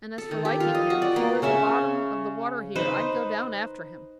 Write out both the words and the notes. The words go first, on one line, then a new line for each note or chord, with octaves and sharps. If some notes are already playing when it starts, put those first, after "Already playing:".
And, as for liking him, if he were at the bottom of the water here, I'd go down after him.
A4
D#3
G4
F4
D#5
F#4
D5
A#3
C#3 C#4 E5 G#5
D#4 B4 C5